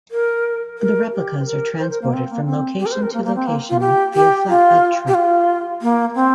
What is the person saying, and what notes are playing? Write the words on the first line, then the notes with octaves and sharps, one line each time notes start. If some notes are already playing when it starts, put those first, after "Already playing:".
The replicas are transported from location to location via flatbed truck.
A#4
A#4
G4
C5
A#4
C5
A#4
A#3
C4
A#3
C4
G4
A#4
C5
A#4
A#3
A#3
C4
A#3
F4
G4
G4
F4
G4
F4
A#3
C4